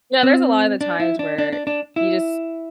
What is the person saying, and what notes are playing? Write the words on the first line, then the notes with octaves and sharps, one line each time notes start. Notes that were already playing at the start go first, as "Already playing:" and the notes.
Yeah, there's a lotta of the times where you just
C4
D4
E4
D4
D4
D4
D4
E4